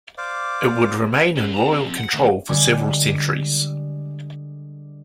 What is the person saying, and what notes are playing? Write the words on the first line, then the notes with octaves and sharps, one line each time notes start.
It would remain in royal control for several centuries.
C5 D5 F5 D6
C#4 A#4
A5 A#5
C4 A#4
F3 C4
F#5
D#3 A3
D3 G3 G#3